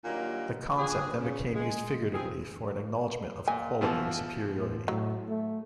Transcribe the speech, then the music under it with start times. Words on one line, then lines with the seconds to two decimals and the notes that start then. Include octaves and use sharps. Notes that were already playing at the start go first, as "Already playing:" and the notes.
The concept then became used figuratively for an acknowledgement of quality or superiority.
0.04 A#2 D3 D#3 F#3 G3 A#3
0.78 A#2 D3 G4 G#4
1.19 C#3
1.55 G#3
2.14 G2 G3 C4 G#4
3.48 A#2 G#5
3.81 B2 E3 F3
4.56 A2
4.88 A2 F#3
5.29 A3